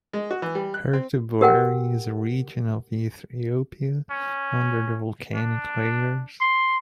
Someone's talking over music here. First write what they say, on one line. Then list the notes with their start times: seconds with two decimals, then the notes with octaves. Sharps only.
Herto Bouri is a region of Ethiopia under volcanic layers.
0.13 G#3
0.31 F#4
0.42 E3
0.55 G3
0.74 F#6
0.93 C4
1.41 G4 A#4 F#5 G5
4.11 C#4
5.35 D4
6.40 C6